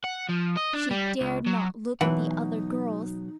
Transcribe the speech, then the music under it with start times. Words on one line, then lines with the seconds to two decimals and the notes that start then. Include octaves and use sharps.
She dared not look at the other girls.
0.04 F#5
0.29 F3
0.57 D#5
0.74 D4
0.91 G3
1.21 C#2
1.46 F#3
2.01 B2 E3 F#3 D#4 F#5